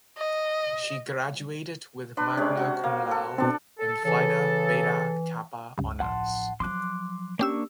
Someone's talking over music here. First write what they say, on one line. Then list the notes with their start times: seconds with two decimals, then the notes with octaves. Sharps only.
She graduated with magna cum laude and Phi Beta Kappa honors.
0.18 D#5
2.17 D4 B4 C6
2.37 C3 G#3 C#4 D4 D5
2.57 F#4 C5
2.84 A#3 F5
3.11 A4
3.38 B2 C4 D4 A5
3.79 A4
4.05 C#3 E3 A4
5.78 C#2 G2
6.00 A1 F3 F#5 A5 C6
6.60 F3 F#3 C6 D6 F#6
7.39 A#3 C#4 D4 G4 C#6 E6